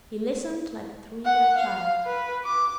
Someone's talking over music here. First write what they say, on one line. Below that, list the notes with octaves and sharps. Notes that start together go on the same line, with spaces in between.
"He listened like a three-year child."
F#5
F5
B4
D6